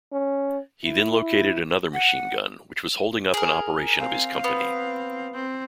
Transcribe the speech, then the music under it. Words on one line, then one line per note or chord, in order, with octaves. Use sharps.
He then located another machine-gun which was holding up an operation of his company.
C#4
E4
F#5
G#4 A#4
C4 F5
B3
C4